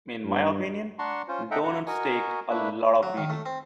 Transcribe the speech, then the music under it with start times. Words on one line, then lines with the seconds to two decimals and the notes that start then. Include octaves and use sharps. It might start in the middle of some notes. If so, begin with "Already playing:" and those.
In my opinion, doughnuts take a lot of beating.
0.25 G2
0.99 D4 F#5 A5 A#5 C6 C#6
1.28 C#4 F4 C5
1.51 D#4 A4 E5 F#5 G5 A#5
1.64 F4 F#5 A#5
1.87 F#4 A#4 D#5 G#5 A#5 C#6
2.50 A3 A#3 D4 E4 B4 E5
3.03 F#3
3.17 D#3
3.30 A3
3.46 C4